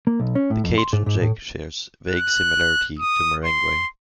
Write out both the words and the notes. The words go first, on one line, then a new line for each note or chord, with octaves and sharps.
The Cajun Jig shares vague similarity to Merengue.
A#3
B1
C#4
A2
F2
C6
G#2
G#2
A2
F#6
D#6
C6